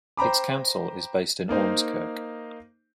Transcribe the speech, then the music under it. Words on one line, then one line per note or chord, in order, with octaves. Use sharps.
Its council is based in Ormskirk.
C5 G5 A#5 B5 D6
A#3 D#4 C5